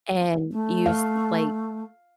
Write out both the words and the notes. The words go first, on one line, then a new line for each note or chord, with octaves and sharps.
and you s like,
A3
F5